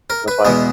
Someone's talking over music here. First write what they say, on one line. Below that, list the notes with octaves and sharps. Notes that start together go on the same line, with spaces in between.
It was like,
A#4
B4
E2 B2 G#3 B3